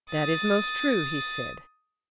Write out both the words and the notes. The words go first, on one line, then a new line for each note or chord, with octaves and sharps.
That is most true, he said.
D#6 A6